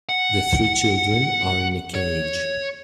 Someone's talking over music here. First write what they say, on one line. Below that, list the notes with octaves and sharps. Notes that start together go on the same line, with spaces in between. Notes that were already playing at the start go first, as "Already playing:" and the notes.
The three children are in a cage.
F#5
C#5